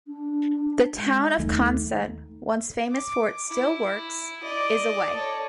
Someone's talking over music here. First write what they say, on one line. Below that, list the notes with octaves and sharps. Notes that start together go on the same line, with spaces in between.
The town of Consett, once famous for its steel works, is away.
D4
G#3
D#2 A3 D#4
D6
E4
D5 D#5
A4 C#5